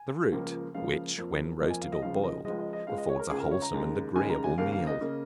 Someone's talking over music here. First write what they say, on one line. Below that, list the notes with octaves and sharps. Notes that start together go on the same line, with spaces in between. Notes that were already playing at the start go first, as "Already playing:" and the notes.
The root, which, when roasted or boiled, affords a wholesome and agreeable meal.
Already playing: G#5
C#2 C#3 F3 A#3
C#2 C#3 F3 A#3 F5
F2 F3 A#3
F2 F3 A#3 D#5
G#5
F5
D#5
C#2 C#3 F3 G#3 F5
D#5
C#2 C#3 F3 G#3 D#5
D#5
D#5
C#2 C#3 G#3 F5
D#5
C#5
A#4
C#2 C#3 G#3 G#4
A#4
C#5
A#5
D#2 C#3 G#3
D#2 C#3 G#3 G#5
A#5
G#5
D#2 C#3 A#3 F5
F5
D#5
C#3 A#3